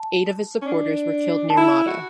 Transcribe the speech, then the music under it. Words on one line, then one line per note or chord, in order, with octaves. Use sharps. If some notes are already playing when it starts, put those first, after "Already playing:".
Eight of his supporters were killed near Matta.
Already playing: A5
C#4
D4
A5
E4 B5
F#4